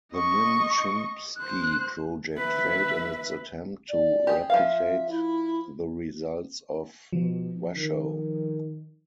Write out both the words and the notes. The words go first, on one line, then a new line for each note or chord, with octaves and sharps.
The Nim Chimpsky project failed in its attempt to replicate the results of Washoe.
D#5 C#6
C5 F#6
B4 E5
D5
G4 G#4
F3 E5 F5
E4
B2 F3
D#3